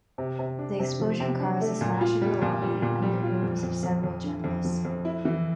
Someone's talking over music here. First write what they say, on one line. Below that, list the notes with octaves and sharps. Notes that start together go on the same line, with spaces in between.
The explosion caused the smash of the lobby and the rooms of several journalists.
C3
C3
D4
C3
F3
C3
D4
A3
A#2
F4
G3
A#2
G3
A#2
G3
F4
F2
F2
F2
F2
D3
F2
F3
F2
E4
E3